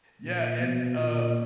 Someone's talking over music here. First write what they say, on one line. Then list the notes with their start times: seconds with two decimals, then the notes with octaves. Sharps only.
yeah, and, um
0.24 A#2
0.59 B2
0.96 A#2